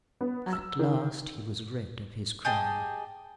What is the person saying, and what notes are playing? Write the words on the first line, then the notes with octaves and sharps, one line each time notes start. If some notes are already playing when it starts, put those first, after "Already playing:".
At last he was rid of his crime.
B3
E6
D#3
G4 G#4 D#5 A5